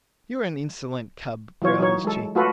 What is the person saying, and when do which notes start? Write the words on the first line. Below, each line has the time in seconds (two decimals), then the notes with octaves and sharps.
"You are an insolent cub," growled his Chief.
1.62 E3 F#3 F4 C#5
1.80 F#3 D#4 C#5
2.05 G#3 A4
2.35 A3 F4 F#4 A4 B4